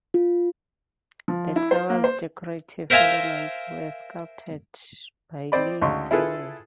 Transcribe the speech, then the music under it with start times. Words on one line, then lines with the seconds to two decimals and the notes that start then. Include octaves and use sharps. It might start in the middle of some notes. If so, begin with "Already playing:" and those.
The towers's decorative elements were sculpted by Lee Lawrie.
0.14 F4
1.28 F3
1.56 E4
1.71 C5
1.90 A#3
2.04 C5
2.90 A#4 C5 E5 F5 G#5 A#5
5.52 C4 C5 D5 D#5 B5
5.81 D2 C#3 G#3 D#4 C6 C#6
6.11 E4 F4 G#4 A4 B4